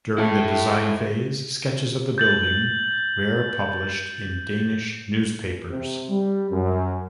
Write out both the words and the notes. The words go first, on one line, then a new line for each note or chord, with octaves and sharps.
During the design phase sketches of the building where published in Danish newspapers.
E4 A4
G6 A6 F#7
C3
G3
F#2